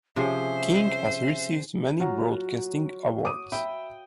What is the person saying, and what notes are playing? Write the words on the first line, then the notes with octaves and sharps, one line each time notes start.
King has received many broadcasting awards.
C3 F3 C#4 G#4 C5 E5
F#3 F4 F#5 A#5
D6 D#6 D#7
E5 G5 B5 D#6